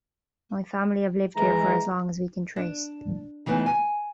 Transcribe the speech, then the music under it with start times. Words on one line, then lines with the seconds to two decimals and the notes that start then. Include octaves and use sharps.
My family have lived here for as long as we can trace.
1.36 E3 G#3 A#5
2.56 D4
3.46 C#3 E3 A3 B3 D#4
3.66 G#5